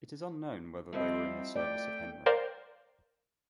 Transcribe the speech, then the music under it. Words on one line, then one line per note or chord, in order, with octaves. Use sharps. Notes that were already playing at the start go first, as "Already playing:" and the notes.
It is unknown whether they were in the service of Henry.
F3 G3 C4 E4 D#5
A3 D5 G5
A#4 C5 D5 F5 G5